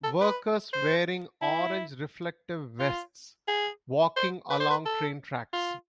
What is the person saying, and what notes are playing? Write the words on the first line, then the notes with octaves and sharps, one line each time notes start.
Workers wearing orange reflective vests walking along train tracks.
A4
B4
C5
E4
F4
G#4
C5
B4
C5
B4
A4
F4